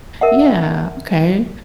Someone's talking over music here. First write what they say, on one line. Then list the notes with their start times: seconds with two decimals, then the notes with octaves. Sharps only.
Yeah, okay,
0.21 A#4 E5 F#5